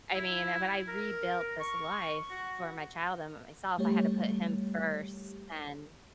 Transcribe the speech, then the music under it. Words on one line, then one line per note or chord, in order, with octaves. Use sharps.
I mean, eh but I rebuilt this life, for my child and myself, I had to put him first, and,
E4
A#4
C#6
F#4
G3 A3 G4 C#5